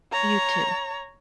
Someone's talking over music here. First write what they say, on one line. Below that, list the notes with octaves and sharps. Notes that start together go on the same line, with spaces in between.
You too.
C#5 A#5